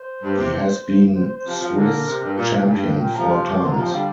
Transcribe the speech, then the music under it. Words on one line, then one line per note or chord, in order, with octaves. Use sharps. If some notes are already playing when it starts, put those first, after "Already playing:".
He has been Swiss champion four times.
Already playing: C5
G2
C3
C5
C5
C5
C3 F3
C3 F3
A#2 D3 A#4
C3
G2
A#2 D5
C3 F5
A#2
G2
A#2 G5
C3 F3 A#5
C6
D6
A#2 D3 C6
A#5
C3 F3
C5
D3 G3 F5